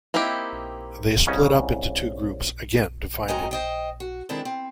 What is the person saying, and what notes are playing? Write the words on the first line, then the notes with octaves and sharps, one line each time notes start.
They split up into two groups again to find him.
A#3 C4 D#4 E4 G4
C2 C#3 C#4 D#5
G#2 F#3 C4 D#5 G#5 A#5
C5 D#5 G5
F#4
D#3 G#3 C4 D4 E4 A4
C4